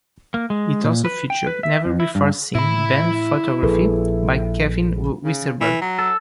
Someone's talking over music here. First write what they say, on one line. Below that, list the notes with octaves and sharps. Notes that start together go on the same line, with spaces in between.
It also featured never-before-seen band photography by Kevin Westerberg.
A#3
G#3
A#2
B4
G5
B4
E5
F2
E4
G2
A2 E4 B5
A#1 G#4 A4 B4
C#3
E3
F#3
A4